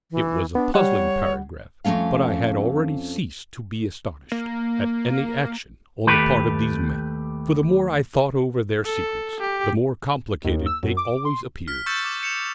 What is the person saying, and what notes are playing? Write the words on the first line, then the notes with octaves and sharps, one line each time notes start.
It was a puzzling paragraph, but I had already ceased to be astonished at any action on the part of these men, for the more I thought over their secrets, the more complicated they always appeared.
E3
B3 D4
G3 C#5 F#5
F2 G#3 A3 C#4 F5
A#3
D#2 A3 G4 B4
A4
G4
D#2
E6
F#2
D6
C6
F6 B6
C#6 E6 G6 A6 C#7 E7
D6
C#7 E7 F7